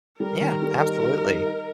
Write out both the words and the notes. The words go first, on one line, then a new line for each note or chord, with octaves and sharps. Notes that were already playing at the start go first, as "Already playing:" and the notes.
Yeah, absolutely.
G3 A#4
D#3
G3
D#4
D#4
D#4
D#4